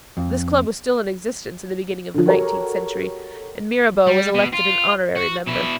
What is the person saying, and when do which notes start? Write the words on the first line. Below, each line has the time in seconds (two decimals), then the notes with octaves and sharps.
This club was still in existence in the beginning of the nineteenth century, and Mirabeau was elected an honorary member.
0.17 F2
2.14 D3 F3
2.26 F#4 G4 A4 A#4 C#5 A#5
4.07 G3
4.35 B2
4.53 F4
5.16 F#4
5.47 B2 E4